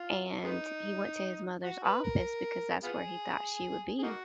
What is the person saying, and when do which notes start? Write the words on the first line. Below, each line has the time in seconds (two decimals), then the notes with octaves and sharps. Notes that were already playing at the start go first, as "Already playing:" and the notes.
and he went to his mother's office because that's where he thought she would be.
Already playing: F4
0.44 G#3 B3 D#4
1.63 F#4
1.83 B4
2.03 A#4
2.83 B3 F4 G#4
3.99 G#4
4.03 A#3 D#4 F#4